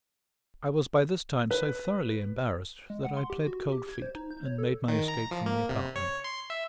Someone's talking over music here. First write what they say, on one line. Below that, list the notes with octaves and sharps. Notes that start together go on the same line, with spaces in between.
I was by this time so thoroughly embarrassed that I pled cold feet, and made my escape from the apartment.
B4
G#3
F#5
C6
G4
F#4
G4
G#6
C5
D#4
G6
C#5
A4
D#3
A#5
F3
A#3
C3
C#5
C6
E5